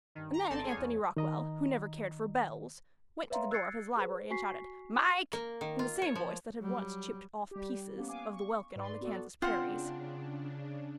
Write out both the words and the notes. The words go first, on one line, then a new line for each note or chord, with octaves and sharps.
And then Anthony Rockwall, who never cared for bells, went to the door of his library and shouted "Mike!" in the same voice that had once chipped off pieces of the welkin on the Kansas prairies.
G2 D#3
A#5
G#1 C4 A4 D5 A5 C6
G#4 C5 C#5 F5 G#5
E2
D#3 D#5 A#5
B4 C#5 E5 F5 A#5 C6
E6 F#6 G#6 A6 C7 C#7
G#4 B4 C5
F#4 G#5 C#6 B6 C7
A#3
D#3
F4
C#5
F3
F#3 G3
G3 G4
A#3 B3 C#4
B3 F5 G#5 D6
C#6
G#2 B4 D5 C6
B3 F#4 A4 D5
C#3 C4 D4 F4 F#5